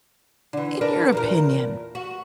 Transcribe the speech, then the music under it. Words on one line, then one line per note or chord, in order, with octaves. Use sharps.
In your opinion,
D3 E3
D4 A#4 B4
E2 A#2 A#4
F#4